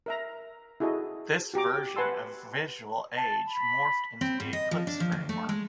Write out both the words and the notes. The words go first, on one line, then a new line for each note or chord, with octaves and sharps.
This version of VisualAge morphed into the Eclipse Framework.
A#4 E5 A#5
E4 F#4 G#4 A4 D#5
F#4 G4 A#5 D6
B4 F#5 G#5 A5 C6 E6
A5
B5
C4
G#2
D#5
F3
D4
F3
D2
A3
G#3